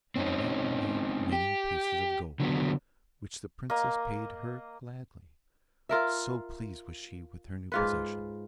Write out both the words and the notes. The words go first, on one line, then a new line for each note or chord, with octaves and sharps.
And the maiden named many pieces of gold, which the princess paid her gladly, so pleased was she with her new possessions.
C4 C#4 D#4
G4
D3 F#3 B3
A#3 D#5
F4 A#4 E5
G#2 F4 B4